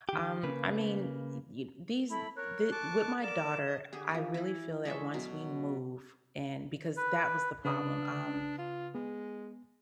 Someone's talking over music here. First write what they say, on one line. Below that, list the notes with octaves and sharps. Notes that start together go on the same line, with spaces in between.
Um, I mean, e e eh these d the with my daughter, I really feel that once we move and because that was the problem, um,
D#3 G4
C#3 A#3 B4
A3 E4 B5
A#4 C#5 F#6
A5 C#6 D6
A#4 D5 D6 E7
D#5 D#6
D3 G4 G#4
E3 F3
E3 E4
G#3 C#4 A4 E5
B2 F#3
B4
C#3 D4 B4 D#6
F4
G#3 B3